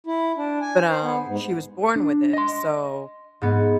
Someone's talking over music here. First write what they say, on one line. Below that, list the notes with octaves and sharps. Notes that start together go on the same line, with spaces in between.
but, um, she was born with it, so
E4
D4
G#5
C5
B3
G#2
D4
D#5 C6
G#2 B3